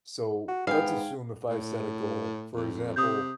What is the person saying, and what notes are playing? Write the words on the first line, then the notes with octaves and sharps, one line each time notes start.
so, let's assume if I set a goal, for example
F#4
G#2 B3 F5 G5 G#5
A2
F2
C3 D#6 G6